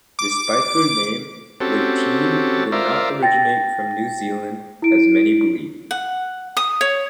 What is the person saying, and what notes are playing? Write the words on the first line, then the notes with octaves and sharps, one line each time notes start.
Despite their name, the team did not originate from New Zealand as many believe.
D6
C4 C#4 F#4 G4 A4
F4 A#4 C5 D5 E5
G5 A6 A#6
E4 D7
F#5
D#6
C#5